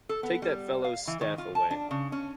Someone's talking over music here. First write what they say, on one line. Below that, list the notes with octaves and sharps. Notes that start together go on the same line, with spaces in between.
Take that fellow’s staff away.
A4
B3
G3
F5
E3
D#3
F4
A5
D4
C#3
C#4